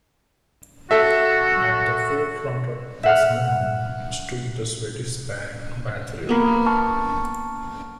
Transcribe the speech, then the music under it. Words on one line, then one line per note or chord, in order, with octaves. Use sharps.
At the forefront of this movement stood the Swedish band Bathory.
F#4 A4 E5
E5 F#5 F6
A#3 B3 G#5
A5 C#6 F6